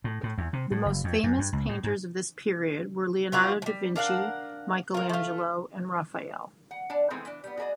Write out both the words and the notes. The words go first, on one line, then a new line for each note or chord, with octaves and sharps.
The most famous painters of this period were Leonardo da Vinci, Michelangelo, and Raphael.
A2
A2
E2
C3
A2
F#1
F2
F#2
G2
C#2
A2
G#2
B3 F4 F#4 D5
F3 G3
D4 A#4 F5 F#5
F4 A#4
A3 F4
F#5
D4 D5 A5
D#3 E3 G#3 A3 C4
E3 D4
G3 B3
F#4 G#4 A#4 D5 D#5